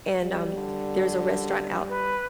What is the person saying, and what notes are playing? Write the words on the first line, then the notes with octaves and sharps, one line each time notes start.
and, um, there's a restaurant out
G3
D3
B4